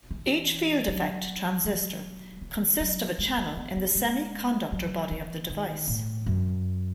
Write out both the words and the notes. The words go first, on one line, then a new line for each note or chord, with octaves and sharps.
Each field-effect transistor consists of a channel in the semiconductor body of the device.
E3
F#3
F#3
E3
F#3
G#3
A3
B3
B3
G#3
F#3
E3
D#3
A2
F#2